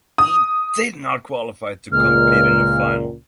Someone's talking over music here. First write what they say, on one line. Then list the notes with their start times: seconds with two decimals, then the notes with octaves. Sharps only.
He did not qualify to compete in the final.
0.18 D#6
1.92 C#2 A#2 F6